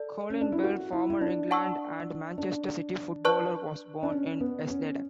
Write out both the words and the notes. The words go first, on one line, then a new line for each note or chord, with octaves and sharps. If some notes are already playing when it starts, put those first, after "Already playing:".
Colin Bell, former England and Manchester City footballer, was born in Hesleden.
Already playing: A4 D5
C#4
D4
E4
F#4
E4
E4
D4
F#5 A5 C#6 E6
D4
B4 D5 A5 C#6 F#6
D4
C#4
B3
C#4